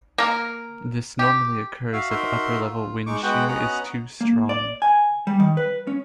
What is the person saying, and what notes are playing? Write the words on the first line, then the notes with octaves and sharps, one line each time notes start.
This normally occurs if upper-level wind shear is too strong.
A#3 A#4
G4
F#4 E5 F5
D#4 F#4 A#4 E5 C6
F4
G#3 D#4 C#6 D6
G#3 B3 F#4 F#5 G5
B3 C#4 F#4 D#5 F#5 A#5
A#3
D5
G#5
G3
D#3
B4
C#4